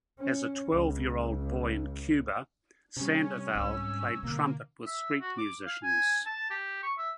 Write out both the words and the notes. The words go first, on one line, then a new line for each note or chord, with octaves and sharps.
As a twelve-year-old boy in Cuba, Sandoval played trumpet with street musicians.
C#4
C#2
C3 G3 C#4
C2 G#2 E6
B2 D3 A#3
E5
F#4
D6
F5
G#5
A5
G4
C#6
E5